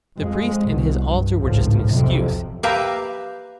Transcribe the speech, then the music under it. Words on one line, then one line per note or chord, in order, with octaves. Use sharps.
The priest and his altar were just an excuse.
F2 G#3
C2 B2
G2
G#1 C#2 A2 F3
B1 F2 C3
A#3 G4 B4 E5 F5 A#5